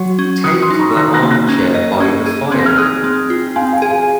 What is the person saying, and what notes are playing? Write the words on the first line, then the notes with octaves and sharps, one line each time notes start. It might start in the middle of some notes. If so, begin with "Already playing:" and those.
Take the armchair by the fire.
Already playing: F#3 F#4 C#5
C#4
F#4 D#6 F#6
C6 D#6
D#4
A#5 C#6
D#3 F#6 A#6
F#6 A#6
A#3
F#6 A#6
C#4
D#5
C#4
G#4
C4 G#6
A#6
F6 G#6
G#4 D#6 F#6
C4
F4
C4 F5 G#5
F5 G#5
G#4
F5 G#5